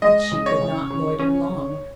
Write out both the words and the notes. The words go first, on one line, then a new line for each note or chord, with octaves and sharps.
But she could not loiter long.
G#3 D#5
C#3
C#5
C#3
C#3
C#4